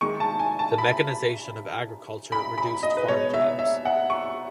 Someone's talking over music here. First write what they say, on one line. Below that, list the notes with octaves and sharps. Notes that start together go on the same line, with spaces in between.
The mechanization of agriculture reduced farm jobs.
D#3 G#3 C#6
A5
G#5
A5
B5
B5
B5
D#5
B4
B2 G#3 C#5
E5
E5
F#5
C#6